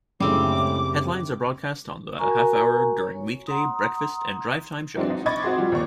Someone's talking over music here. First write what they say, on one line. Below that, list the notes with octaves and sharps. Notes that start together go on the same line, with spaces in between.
Headlines are broadcast on the half-hour during weekday breakfast and drivetime shows.
F#2 A2 C#3 G3 G#3 C4 D4 D6
F#4 A#4 G#5 A#5 C#6
C#5
F#5 A#5 C6 D#6
E3 F#3 G#3 C4 D4
D#4
D#5 B5 C#6 D6 G#6 A6
C4 F#4 G#4 C6
F3 G3
G1 D#2 D5 C#6